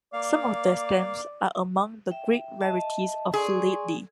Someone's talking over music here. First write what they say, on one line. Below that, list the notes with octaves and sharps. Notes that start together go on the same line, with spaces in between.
Some of their stamps are among the great rarities of philately.
A#3 D5 F5
E5 G5
D#5 E5 A5
G#4 D5 C6 C#6